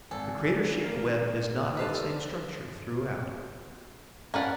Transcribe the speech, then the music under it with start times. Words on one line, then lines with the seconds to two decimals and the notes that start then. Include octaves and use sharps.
The crater-shaped web is not of the same structure throughout.
0.11 G#1 A4 G#5
0.84 A#3 A#4 F5
1.77 G3 D#4 A4 B4 C5 D5 F5 A5
4.34 A#3 C#4 D4 A#4 B4 F#5